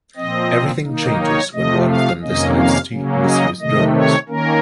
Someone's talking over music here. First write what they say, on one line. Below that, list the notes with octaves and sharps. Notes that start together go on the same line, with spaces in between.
Everything changes when one of them decides to misuse drones.
A#2 F3 C4 D#5
D#3 A#3 D#4
C#5
C3 F3 A3 D#5
F5
F2 C3 D#3 A#3 C#4 D#5
F5
C#3 F#3 A#3 C#4
D#5
C3 D#3 A3 D#5
C#5
D#3 A#3 C#4 A#4